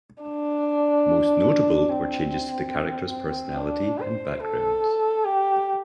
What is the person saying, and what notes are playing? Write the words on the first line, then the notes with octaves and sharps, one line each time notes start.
Most notable were changes to the characters' personality and backgrounds.
D4
C4
D4
C5
A4
G4